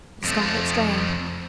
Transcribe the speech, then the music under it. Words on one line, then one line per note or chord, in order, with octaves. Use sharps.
'The scarlet strand!
F2 A3